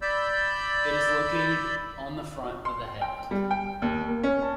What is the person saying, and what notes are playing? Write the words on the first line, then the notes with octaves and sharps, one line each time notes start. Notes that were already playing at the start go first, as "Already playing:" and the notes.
It is located on the front of the head.
D5 B5 E6 G6
C6
G5
G3
G5
D#2
A#3
C#4
A5